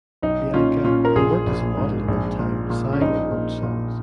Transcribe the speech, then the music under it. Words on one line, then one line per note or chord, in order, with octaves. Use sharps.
Bianca, who worked as a model at one time, sang and wrote songs.
B1 D#4
A#2 C#4 F4
A#2 C#4 F4
A#4
A#1 F4 G#4
A#1
G#2
A#1
A#2
A#2
C#4
A#1 D#4
A#2
A#2